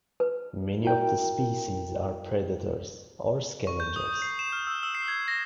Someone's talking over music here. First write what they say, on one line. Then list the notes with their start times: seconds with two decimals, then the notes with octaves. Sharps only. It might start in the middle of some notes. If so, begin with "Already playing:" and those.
Many of the species are predators or scavengers.
0.20 B4
0.83 E4 F#4 A#4 G5
3.67 C#6
3.80 G6
3.96 D#6
4.22 C7
4.39 E7
4.52 F6
4.67 E6
4.83 E6
4.95 C7
5.08 G#6
5.28 A#6